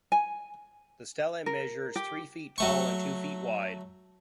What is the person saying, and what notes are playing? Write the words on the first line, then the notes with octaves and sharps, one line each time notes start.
The stele measures three feet tall and two feet wide.
G#5
A#4
G4
F#3 A3 C#6